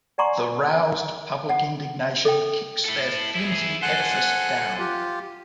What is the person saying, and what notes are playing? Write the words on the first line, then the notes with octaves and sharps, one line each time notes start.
The roused public indignation kicks their flimsy edifice down.
D5 F#5 G#5 A#5 C6 C#6
F#5
A4 G5
E4 A4
E4 G#4
A4 C5 F#5 G#5 F#6
F4 G4